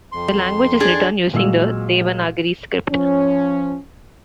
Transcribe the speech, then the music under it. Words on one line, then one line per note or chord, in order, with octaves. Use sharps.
The language is written using the Devanagari script.
F2 C6
D4 G#4
A#2 F#3 G#3 E6
F3 C#4